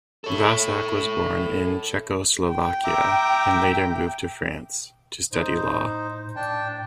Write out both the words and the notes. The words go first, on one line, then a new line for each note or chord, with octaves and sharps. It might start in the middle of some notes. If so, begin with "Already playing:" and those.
Vasak was born in Czechoslovakia and later moved to France to study law.
A4 C#5
G5
E5 A#5 D6
A2 D#4 C5
A2 D4 G5 A5